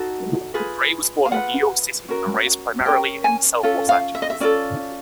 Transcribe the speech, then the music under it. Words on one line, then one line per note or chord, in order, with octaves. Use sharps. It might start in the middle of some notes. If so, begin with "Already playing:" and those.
Gray was born in New York City and raised primarily in South Los Angeles.
Already playing: D#4 F#4 A4
F4 G#4 B4
F5
F4 G#4 B4 F#5
C#4 F#4 A#4
C#4 F#4 A#4 G5
G#5
C#4 F4 A4
F5
E5
D#5
E5
C#4 F4 A4 D5